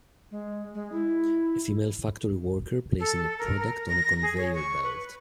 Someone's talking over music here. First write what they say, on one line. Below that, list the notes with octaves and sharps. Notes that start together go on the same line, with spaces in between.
A female factory worker placing a product on a conveyor belt.
G#3
G#3
E4
A4
A#4
A#4
A#6
G#4
C#5
C#6
B4